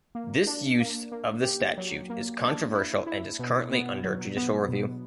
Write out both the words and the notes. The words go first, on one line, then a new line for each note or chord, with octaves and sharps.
This use of the statute is controversial and is currently under judicial review.
A#3
D4
A#3
A#3
G4
F#3
A#3
D4
E4
E4
B2
B3
F#3
B3
B2